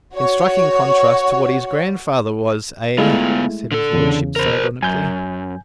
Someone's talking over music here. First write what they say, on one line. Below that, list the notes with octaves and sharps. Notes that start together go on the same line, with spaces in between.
"In striking contrast to what his grandfather was, eh?" said his lordship sardonically.
F#4 C#5
G#3 A3 B3 E4 F4 F5
D3 A4
E2 C#3
A#4 C5
F#2 G#5 G6